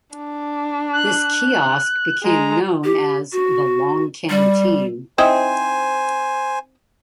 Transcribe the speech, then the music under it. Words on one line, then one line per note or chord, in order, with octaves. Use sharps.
This kiosk became known as the 'Long Canteen'.
D4
F#6
G#3 A#5
G4
F#4
G3
C4 D#4 E4 C5 G#5